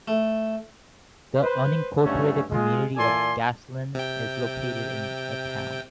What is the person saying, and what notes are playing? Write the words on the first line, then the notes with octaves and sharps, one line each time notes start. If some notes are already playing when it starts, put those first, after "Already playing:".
The unincorporated community of Gaslyn is located in the town.
A3
B4 C5
G2 D3 F#3 A3 C#4
G#3 F4
A#2 E3 A4 D5 G#5 C6
C3 G5